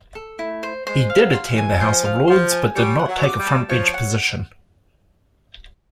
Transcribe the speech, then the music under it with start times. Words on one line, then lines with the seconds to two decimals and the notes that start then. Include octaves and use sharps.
He did attend the House of Lords but did not take a front-bench position.
0.15 A4
0.39 A3 E4
0.63 C5
0.86 G#3 C5
1.10 F5
1.17 F#3
1.33 C6
1.49 E3
1.58 G#5
1.80 F3 C5
2.05 F5
2.28 F3 C6
2.52 G#5
2.75 G3 C#5
2.99 F#5
3.07 F#3
3.23 D6
3.39 G3
3.46 A5
3.70 F3 C#5
3.94 F#5